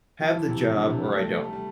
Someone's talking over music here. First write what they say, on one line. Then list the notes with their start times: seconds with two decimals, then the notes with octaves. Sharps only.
have the job or I don't.
0.21 F3
0.35 E3
0.49 C3
0.63 C3
0.76 D3
0.90 C3
1.04 G3
1.12 A3
1.20 G3
1.28 A3
1.36 G3
1.44 A3
1.53 G3